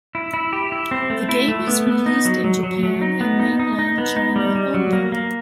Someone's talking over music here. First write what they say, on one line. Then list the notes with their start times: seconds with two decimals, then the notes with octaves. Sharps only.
The game is released in Japan and mainland China only.
0.15 E4
0.34 E4
0.53 G4
0.72 E4
0.91 C4
1.10 A3
1.29 E4
1.48 A3
1.67 B3
1.87 B3
2.06 D#4
2.25 F#3
2.44 F#3
2.63 F#3
2.83 F#3
3.01 D#4
3.21 B3
3.40 D#4
3.59 D#4
3.79 D#4
3.98 B3
4.17 D#4
4.36 G3
4.55 G3
4.74 F#3
4.93 A#3
5.12 A#3